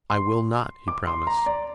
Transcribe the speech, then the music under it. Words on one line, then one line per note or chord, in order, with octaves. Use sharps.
"I will not," he promised.
C6
D6
C6
A#5
D5